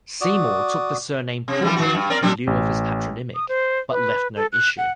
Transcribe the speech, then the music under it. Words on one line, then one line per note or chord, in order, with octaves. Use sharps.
Seymour took the surname Portman in lieu of his patronymic, but left no issue.
F#4 D5 D#6
C3
E3 F3 G3
D#3 F#4
G2
C4 A#4 D5
F#3 C4 D4
A1
D#6
C5
B4
A4
F#6
F#5